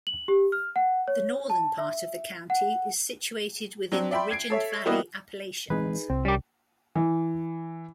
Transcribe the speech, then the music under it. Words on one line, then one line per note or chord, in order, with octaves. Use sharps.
The northern part of the county is situated within the Ridge-and-Valley Appalachians.
F#7
G4
F6
F#5
C#5
A5
E5
F#5
F#3 C4 D4
D5 E5 G5 B5 C6
G#6 C7 D7
A4 C#5 E5
G3 A#3 B3 E4 F#4 D#5
E3 G#3 C4 D#4 G#4 B4
C2 C4
G3 C#4 G4 A#4
E3